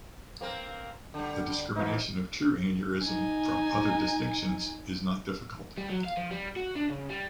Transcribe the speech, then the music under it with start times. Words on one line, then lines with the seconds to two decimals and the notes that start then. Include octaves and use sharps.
The discrimination of true aneurysm from other distinctions is not difficult.
0.41 A#3 C4 A#4
1.14 D3 G3
1.75 B2 E3 F3 D#4
3.04 D#4 G#5
5.78 G3
5.90 F#3
6.04 F5
6.17 F3
6.31 G3
6.57 F#4
6.76 D4
6.90 C#3
7.10 G3